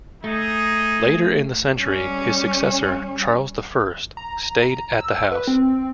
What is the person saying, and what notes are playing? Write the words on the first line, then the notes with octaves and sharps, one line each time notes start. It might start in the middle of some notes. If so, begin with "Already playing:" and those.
Later in the century his successor, Charles the First, stayed at the house.
A3 D#4 G#4
G3 C#4
A#5
E6
B4
C4